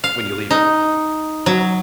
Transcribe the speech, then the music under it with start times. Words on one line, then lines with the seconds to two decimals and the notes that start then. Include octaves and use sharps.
when you leave it
0.04 F5
0.51 D#4
1.46 F#3